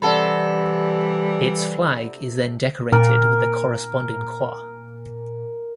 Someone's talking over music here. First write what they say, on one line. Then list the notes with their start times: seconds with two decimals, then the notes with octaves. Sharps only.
Its flag is then decorated with the corresponding Croix.
0.02 C3 E3 G3 A4 D5 F#5 B5
2.92 A#2 A#4